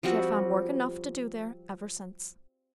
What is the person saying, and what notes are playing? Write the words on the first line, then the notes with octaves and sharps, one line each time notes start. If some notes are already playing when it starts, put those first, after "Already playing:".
She had found work enough to do there ever since.
F3 G3 C4 F#4